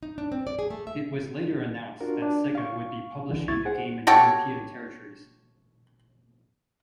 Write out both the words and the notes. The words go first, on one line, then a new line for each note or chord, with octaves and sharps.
It was later announced that Sega would be publishing the game in European territories.
D#4
D4
C4
D5
G#4
A3
E5
D4 F4 F#4 A#4
D4
F5 C#6
C2 D3 E3
C2 E4 C#6 G#6 A6
G#4 C5 F#5
F#4 G4 A4 C#5